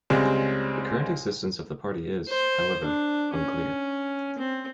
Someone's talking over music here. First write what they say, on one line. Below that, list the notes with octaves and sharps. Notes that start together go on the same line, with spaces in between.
The current existence of the party is, however, unclear.
C#2 G3 G#3 C4
C5
D4
C#4
C4